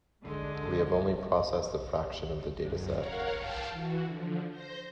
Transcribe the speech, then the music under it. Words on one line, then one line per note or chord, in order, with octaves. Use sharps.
We have only processed a fraction of the dataset.
D3 G#3
F#2
A#4 C#5 F5 F#5
F5 G5 A5
E3 F#4
D3 F3
C5 G6 A#6